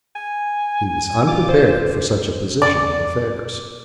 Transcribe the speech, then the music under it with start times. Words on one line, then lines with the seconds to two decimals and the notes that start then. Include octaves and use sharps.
He was unprepared for such a position of affairs.
0.15 G#5
1.27 F4 D6
1.49 C5
2.62 D5